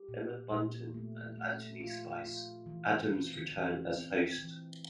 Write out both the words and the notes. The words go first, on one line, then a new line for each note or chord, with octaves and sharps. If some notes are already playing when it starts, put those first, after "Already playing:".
Emma Bunton and Anthony "Spice" Adams return as hosts.
Already playing: G4
A#2
A#2
A3
A3
F4
F4
E3
C4
E3
C4
E3